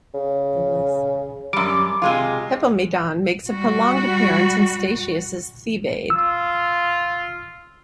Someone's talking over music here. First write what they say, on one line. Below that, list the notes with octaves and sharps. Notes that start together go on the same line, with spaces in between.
Hippomedon makes a prolonged appearance in Statius' "Thebaid".
C#3
F#2 G3 D6
C3 G#3 F4
G3 F#4
F4 E6